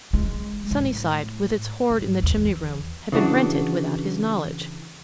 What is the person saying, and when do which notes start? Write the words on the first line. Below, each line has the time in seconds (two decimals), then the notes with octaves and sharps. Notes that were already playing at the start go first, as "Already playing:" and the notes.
Sunnyside, with its hoard in the chimney-room, had been rented without his knowledge!
0.13 G#3
0.71 A2
1.90 G#2
2.23 E2
3.12 C#3 E3 D4 F#4